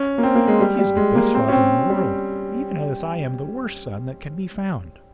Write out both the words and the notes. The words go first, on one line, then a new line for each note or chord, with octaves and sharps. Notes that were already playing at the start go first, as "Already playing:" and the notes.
"He is the best father in the world, even as I am the worst son that can be found."
Already playing: C#4
A#3
C4
A#3
G#3
G3
G3
G#3
A#3
C4
C#4
C4
G3